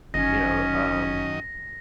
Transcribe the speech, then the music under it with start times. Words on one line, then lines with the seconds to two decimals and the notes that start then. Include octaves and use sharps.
you know, um
0.14 G1 F#2 D#3 C#4 D#5 A#6